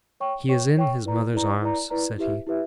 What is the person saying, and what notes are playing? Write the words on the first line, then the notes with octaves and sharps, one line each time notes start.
'He is in his mother's arms,' said he.
C#5 G5 C#6
C#5 G5 C#6
C#5 G5 C#6
E4 B4 D5 A#5
E4 B4 D5 A#5
E4 B4 D5 A#5
E4 B4 D5 A#5
E4 G4 B4 E5
E4 G4 B4 E5